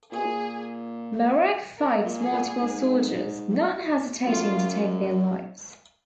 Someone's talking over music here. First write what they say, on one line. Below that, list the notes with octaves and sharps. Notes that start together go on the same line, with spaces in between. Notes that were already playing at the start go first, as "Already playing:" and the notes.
Marek fights multiple soldiers, not hesitating to take their lives.
A#2 G#4
B2
A#2
A#4
A#2
G#4
A#2
G#2
F#2 F4